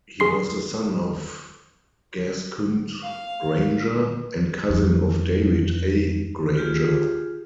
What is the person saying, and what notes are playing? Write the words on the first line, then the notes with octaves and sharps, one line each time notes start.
He was the son of Gaskynd Granger, and cousin of David A. Granger.
G#4 C6 C7
F5
F2 E3
F4 G4 G#4